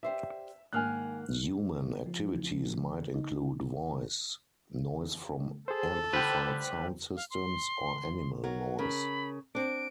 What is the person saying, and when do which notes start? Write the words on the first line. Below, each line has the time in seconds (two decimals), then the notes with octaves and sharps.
Human activities might include voice, noise from amplified sound systems, or animal noise.
0.03 G4 C5 D5 E5
0.73 G#2 D#3 A#3 G#5 F6 F#6
2.06 F3
3.15 D#4
5.68 G#4 A4 C5
6.13 D3 G3 B4 C5 G5
7.16 F5
7.30 C6
8.44 F#3 A#4
8.79 C#3 A#4 B5
9.55 C4 D4 D7